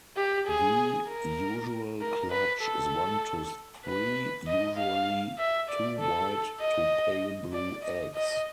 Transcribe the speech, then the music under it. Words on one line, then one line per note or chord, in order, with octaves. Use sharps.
The usual clutch is one to three, usually two white to pale blue eggs.
G4
G#4
A#4
A#4
B4
A4
B4
D#5
F5
E5
D5
A4
D#5
D5
D#5
D#5